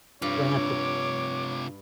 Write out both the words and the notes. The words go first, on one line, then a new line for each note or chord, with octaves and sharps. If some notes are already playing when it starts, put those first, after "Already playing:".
we'll have to
G2 C3 F4 C#5 D6